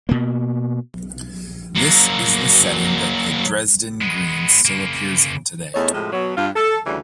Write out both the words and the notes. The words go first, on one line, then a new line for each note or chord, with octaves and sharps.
This is the setting that the Dresden Green still appears in today.
B2 A#3
F#3 A#3
G#3 B3
C#3 A#3
E2 A3 D#4 C#5
A2 C3 F3 G#3
B2 F#3
G2 F4
A4
D2 C#3 E3 G3